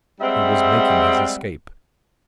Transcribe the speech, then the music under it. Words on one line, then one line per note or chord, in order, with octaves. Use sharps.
He was making his escape.
G3 G#3 C4 E5 F#5